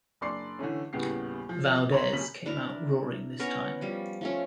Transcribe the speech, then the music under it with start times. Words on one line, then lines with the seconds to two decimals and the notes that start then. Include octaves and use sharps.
Valdez came out roaring this time.
0.21 F#1 D4 D5 C6 C7
0.59 D3 E3 A3 C#4
0.93 D#1 A2 C#3 B3 G4 C7
1.49 F3
1.91 C#5 A#5 C6
2.13 F#1 C3 C#4 B6 F#7
2.46 D4 E4 A#4
3.39 B3 C#4 A#4 C#5
3.81 F3 G3
4.21 F3 A3 C#4